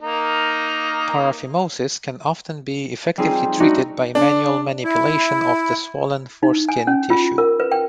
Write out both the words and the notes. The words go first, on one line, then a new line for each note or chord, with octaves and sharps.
Paraphimosis can often be effectively treated by manual manipulation of the swollen foreskin tissue.
A#3 D#4 A#4
G3 C4 D#4 F4 G#4
G3 A3 D4 D#4 F#4
D4
E4
D#4
G#5
C#4
F4
A#4
B4
G5